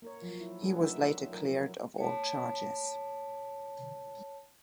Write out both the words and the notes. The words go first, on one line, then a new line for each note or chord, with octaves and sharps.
He was later cleared of all charges.
A#3 A#4 C#5
F3 F#3
E4
A3 C#4 D4 F#4 G#4
D3 A#3 D#4 F4 B4 E5
F#3 A#4
C#5 A5